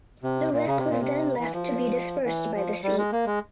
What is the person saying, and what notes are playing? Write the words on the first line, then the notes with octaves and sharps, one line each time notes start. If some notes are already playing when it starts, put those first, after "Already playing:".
The wreck was then left to be dispersed by the sea.
C3
A#2
C#3
C3
A#2
C3
E3
F3
E3
F3
G3
G#3
A#3
G#3